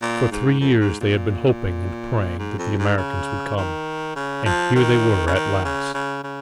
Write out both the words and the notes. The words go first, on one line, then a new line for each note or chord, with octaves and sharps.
For three years they had been hoping and praying that the Americans would come--and here they were at last!
A#2
G#2
F2
G#2
A#2
G#2
F2
G#2
C#3
D#3
C#3
F3
D#3
C#3
D#3
C#3
C#3
C#3